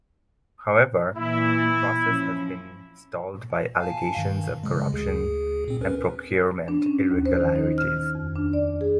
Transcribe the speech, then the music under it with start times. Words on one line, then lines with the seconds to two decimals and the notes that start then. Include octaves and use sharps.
However, the process has been stalled by allegations of corruption and procurement irregularities.
1.16 A#2 E3 E4
2.01 F3 C#4
3.80 F5 G#5 A5
4.17 G2 D#3
4.63 C#3 G#3
4.93 D2 G#4
5.68 A#2 C4
5.81 C#4 A#4 B4
6.68 D4
6.86 C#4
7.11 D#2
7.26 C5
7.41 D#3
7.56 D#4
7.78 F6
8.15 F2
8.36 D4
8.53 D5
8.81 G#4